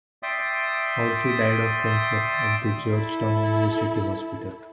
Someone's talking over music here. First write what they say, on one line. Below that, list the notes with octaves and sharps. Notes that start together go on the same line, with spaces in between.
Horsey died of cancer at the Georgetown University Hospital.
D5 E5 G5 C6 D#6
E4 A4